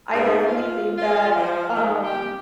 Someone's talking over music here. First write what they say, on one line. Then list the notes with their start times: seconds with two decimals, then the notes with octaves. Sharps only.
I, definitely, think that, um,
0.13 G#2
0.47 F4
0.98 F4
1.35 F3
1.74 D#3
2.04 G4